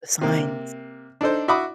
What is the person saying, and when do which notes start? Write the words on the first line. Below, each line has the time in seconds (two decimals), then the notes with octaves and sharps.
The signs.
0.21 C3 A#3
1.21 D4 D#4 A4 C5
1.48 F#4 E5 F#5 B5 D6 D#6